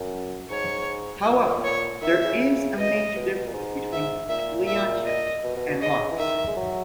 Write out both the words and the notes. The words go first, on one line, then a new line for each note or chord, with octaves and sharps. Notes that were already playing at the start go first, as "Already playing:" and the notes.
However, there is a major difference between Leontief and Marx.
Already playing: F#2
G#2 C#5
A#2
C#5
D#3 E5
C#3
B2
C#3
B2 D#5
C#3
B2
B2
A#2
G#2
E5
A#2 E5
E5
D#5
B2
B2
B2
C#3 D#5
E3
D#3 E5
G#3
F#3